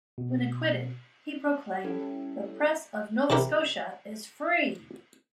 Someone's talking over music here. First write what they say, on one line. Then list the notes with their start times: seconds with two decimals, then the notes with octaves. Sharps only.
When acquitted, he proclaimed: the Press of Nova Scotia is free.
0.18 B2
1.84 G3 C#4 E4 G4 A4
3.30 C3 E3 E4 G4 A#4